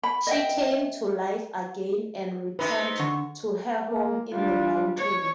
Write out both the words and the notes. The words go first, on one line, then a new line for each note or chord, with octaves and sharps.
She came to life again and returned to her home in the mountain.
B5
D#5 E5 G5
C3 D#4 B4
D3 C#6
A#3
G3 D4 F4
C#5